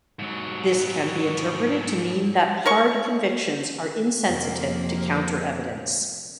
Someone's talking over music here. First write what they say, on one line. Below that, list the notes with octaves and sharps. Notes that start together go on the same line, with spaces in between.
This can be interpreted to mean that hard convictions are insensitive to counter-evidence.
G#2 F#3
A#4 C#5 C#6
F2 C3 A#3